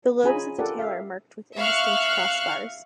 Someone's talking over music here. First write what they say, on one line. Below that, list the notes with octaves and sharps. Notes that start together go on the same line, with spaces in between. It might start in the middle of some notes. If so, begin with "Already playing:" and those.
The lobes of the tail are marked with indistinct crossbars.
C#4 F4 G#4 G#5 A#5 B5
F4 G4 A4 A#4 D5 F#5
E5 F5
E5 F5 C#6 F6 F#6